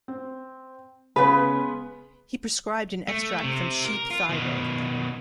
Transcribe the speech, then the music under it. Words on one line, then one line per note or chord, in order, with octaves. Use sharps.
He prescribed an extract from sheep thyroid.
C4
C#3 G#3 B3 C#4 B4
A3
C3
A#4
F4
B2 D#3